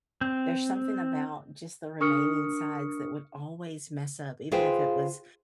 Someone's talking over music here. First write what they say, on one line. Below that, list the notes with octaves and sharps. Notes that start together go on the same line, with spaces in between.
There's something about just the remaining sides that would always mess up, even if it was
C4
D4 A#4 C#6 D#6 F6 C#7
F4 G#4 B4 C5 F5 G5